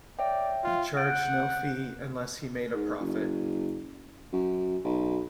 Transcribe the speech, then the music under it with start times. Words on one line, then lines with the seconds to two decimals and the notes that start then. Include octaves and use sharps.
He charged no fee unless he made a profit.
0.19 C#5 D5 E5 G5
0.64 F4
0.97 F#5 F#6 G6 D7
2.75 G#2
3.00 F#1
4.33 F#2
4.85 B1